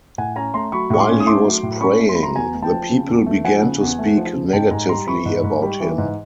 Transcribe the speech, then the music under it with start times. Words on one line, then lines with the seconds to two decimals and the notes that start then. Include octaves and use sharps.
While he was praying, the people began to speak negatively about him.
0.18 A2 F#5 G#5
0.36 C#4 G#5 A#5
0.54 A3 A#5 C6
0.72 F#3 B5 C#6
0.90 A2 C#6
0.99 C6 D6
1.09 C#4
1.20 D#6
1.26 A3 C6 D6
1.45 F#3
1.63 A2
1.81 C#4 B5 C#6
2.00 A3
2.09 C6
2.15 B5
2.18 F#3
2.23 A#5 C6
2.35 E2 G#5 A#5
2.54 A3
2.63 G5 A5
2.72 F3
2.89 C#3
3.08 E2
3.26 A3
3.44 F3 F#5 G#5
3.63 C#3
3.81 E2
3.99 A3
4.17 F3
4.35 C#3
4.53 G#2 G5 A5
4.71 G#2 G#5 A#5
4.89 G3 A#5 C6
5.07 E3 B5 C#6
5.26 G#2
5.43 G#2
5.62 G3
5.80 E3
5.98 G#2